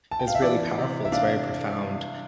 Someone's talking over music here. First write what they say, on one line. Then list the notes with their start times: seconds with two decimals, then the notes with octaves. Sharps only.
is really powerful, it's very profound,
0.11 A5
0.19 G5
0.27 F5
0.35 E5
0.42 E3 D5
0.78 C3
1.05 E5
1.12 D4 F5